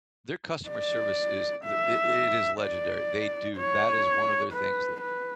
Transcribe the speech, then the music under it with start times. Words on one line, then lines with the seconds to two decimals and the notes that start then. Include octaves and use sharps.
Their customer service is th it it is legendary. They do. That is one of their things that
0.69 D5
1.64 E5
2.61 D5
3.57 C#5
4.53 B4
5.01 B4